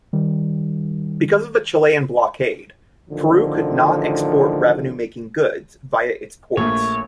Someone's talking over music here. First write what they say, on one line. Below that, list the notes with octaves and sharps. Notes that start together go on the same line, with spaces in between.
Because of the Chilean blockade, Peru could not export revenue-making goods via its ports.
D#3 G3
A1 D3 D#3 F3
A#1 A3 A#3 C#5